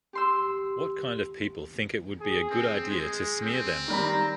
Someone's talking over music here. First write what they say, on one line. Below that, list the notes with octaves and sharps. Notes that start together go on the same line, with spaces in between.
What kind of people think it would be a good idea to smear them?
G4 C6 E6
G#4
C4 G#4
G#3
C4
D#3 G3 A#5 B5